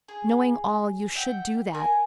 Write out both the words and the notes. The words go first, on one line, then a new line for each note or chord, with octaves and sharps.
Knowing all, you should do that.
G#4
E5 F#5 G5
A#4 G#5